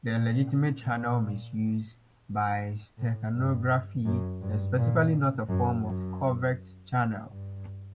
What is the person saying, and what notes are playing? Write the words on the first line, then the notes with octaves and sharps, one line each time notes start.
The legitimate channel misuse by steganography is specifically not a form of covert channel.
A#2
A#2
A2
G2
F#2
G2
A#2
F#2
F#2
G2